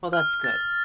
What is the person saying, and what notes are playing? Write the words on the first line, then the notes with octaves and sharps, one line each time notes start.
Well, that's good.
F6
A6